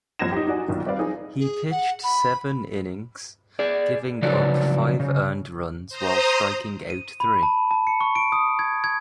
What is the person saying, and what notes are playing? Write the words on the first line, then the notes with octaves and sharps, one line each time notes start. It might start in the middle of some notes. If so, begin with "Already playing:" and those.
He pitched seven innings, giving up five earned runs while striking out three.
A1 F#2 F3 G#6 A#6 E7
D#4 G4
D#4 F#4 D5 G#5
B1 A#2 D#3
G3 C4 G4 B4 D5 F5
F3 D#4 G#4
G#4
F#5
B5
G#4 D5
C#3 F3 F#3 D#4 B4 D5
C#3
C5 A#5 D#6
D#7
B5
A5
A5
C#7
C#6
D7
D#6
G#6
G#6